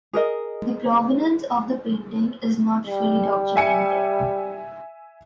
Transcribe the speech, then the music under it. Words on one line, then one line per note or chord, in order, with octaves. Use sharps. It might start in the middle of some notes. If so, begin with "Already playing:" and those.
The provenance of the painting is not fully documented.
G#4 A#4 D#5
G3
E5 G#5 C#7